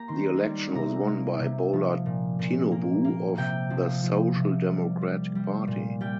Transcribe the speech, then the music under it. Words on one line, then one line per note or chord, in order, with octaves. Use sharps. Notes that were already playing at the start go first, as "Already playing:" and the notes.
The election was won by Bola Tinubu of the Social Democratic Party.
Already playing: A#3 G4 A#5
D#3 C6
G3
C3 A#5
A#3
C3
F3
A#2
A#2
A#3
A#3
C3 G5
F3
F3
C3
G3
G3
G3
A#2
G3 G5